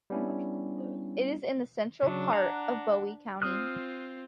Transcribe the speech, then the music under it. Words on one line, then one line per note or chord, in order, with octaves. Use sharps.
It is in the central part of Bowie County.
G3 B3 C#4 D4 E4
C#3 F#3 D4
F#5 A#5
C4 F4 D#6 F6 F#6